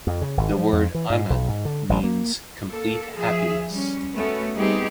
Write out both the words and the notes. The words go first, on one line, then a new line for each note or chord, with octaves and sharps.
The word Anand means complete happiness.
F2
C#3
G#1
F3
F2
E3
G#2
B1
G#2
D3
A1
A#3
A#3 A4
F3 G#4 E5
G3 C#4
A3 B3 C#4 F#4
G3 B3 C4 D#4 G4 G#4